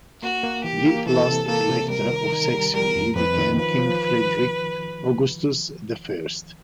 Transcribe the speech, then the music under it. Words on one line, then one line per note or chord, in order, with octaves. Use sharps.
The last elector of Saxony became King Frederick Augustus the First.
A#3 F#4
A#3
E3 G4
A#3
E3 A4
C3
A#3 A4
C3
G3 A#4
D#3
D#3
G3
G3 A#4
F2
F2 B4
D#3
F3 B4
F3